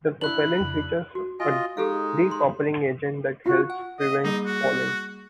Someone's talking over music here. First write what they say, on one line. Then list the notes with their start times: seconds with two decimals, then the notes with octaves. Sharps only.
The propellant features a de-coppering agent that helps prevent fouling.
0.21 D4 E4 B5 F#6 F#7
0.60 F2 C#3
1.15 F#4
1.40 F4 D#5 G#5
1.77 G#3 D#4 G4 A4 F5
2.31 C6
3.46 F4 F#4
3.70 F#5
4.00 D#5
4.24 G3 A#3 D#4 G#4
4.46 F#4